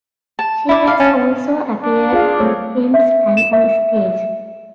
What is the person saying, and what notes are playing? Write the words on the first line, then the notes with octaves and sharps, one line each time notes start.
She has also appeared in films and on stage.
A5
E4 D5
F5
C#4 A5
D4
F4 G#4 F5
A3 C4 C#5
E5
E7
E5